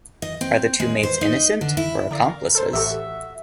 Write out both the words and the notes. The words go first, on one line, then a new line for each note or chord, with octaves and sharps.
Are the two maids innocent or accomplices?
D#5
C4
G#3
C5
D#4
D3
E4
D3 A#4 D5 F5 A#6
A4 C5
A1 F#4 G4 A4 E5